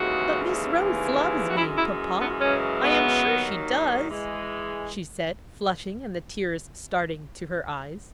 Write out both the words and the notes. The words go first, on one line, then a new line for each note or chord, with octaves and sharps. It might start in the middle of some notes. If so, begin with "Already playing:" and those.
"But Miss Rose loves me, papa; I am sure she does," she said, flushing, and the tears starting to her eyes.
Already playing: D#2 C#3 E3 G#3 F#4
D#2 C#3 E3 G#3
F#4
F#2 E3 G#3 E4
E4
B3
F#2 C#3 E3 G#3 C#4
B3
D#2 D#3 F#3
E3 G#3